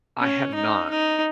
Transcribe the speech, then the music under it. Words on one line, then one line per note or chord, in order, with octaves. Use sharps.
I have not.
C#4
D#4
D#4